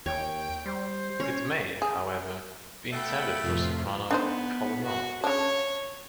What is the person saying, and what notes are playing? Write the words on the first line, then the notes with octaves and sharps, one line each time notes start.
It may, however, be intended for soprano chalumeau.
D#2 C#5 G5
G3 C5
C#4 C#5
G#4
A3 F#5 G5 B5
F2 A2 C3 F4
B3 D4 D#4 C5
F#4
C#3 D4 C#5